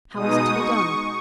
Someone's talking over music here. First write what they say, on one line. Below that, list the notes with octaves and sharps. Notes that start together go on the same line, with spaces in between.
How was it to be done?
B2 G#3 D#4 D#6
C#6